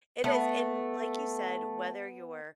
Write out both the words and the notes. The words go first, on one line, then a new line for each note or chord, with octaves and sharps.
It is, and like you said, whether you're,
A3 B3